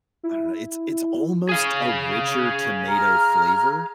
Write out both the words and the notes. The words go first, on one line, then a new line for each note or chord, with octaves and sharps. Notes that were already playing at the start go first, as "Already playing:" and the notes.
I don't know, it's it's almost a richer tomato flavor.
E4
G#4 F5
A#5 F6